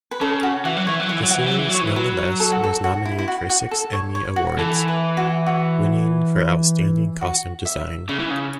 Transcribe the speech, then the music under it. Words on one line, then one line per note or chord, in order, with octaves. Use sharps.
The series nonetheless was nominated for six Emmy Awards, winning for Outstanding Costume Design.
B4
C#3 A4
F#4
E3 F#4
F#3
E3 C#5
F#3
E3 E5
F#3
F#5
E3
F#3
E5
E3
F#3
C#5
E3
F#3 B4
A4
F#4
A4
F#4
E4
E4
F#4
F#4
A4
C#5
C#5
F#4
E3 A4
B4
F#4
F#4
F#4
E5
C#3 E5
E3
C#3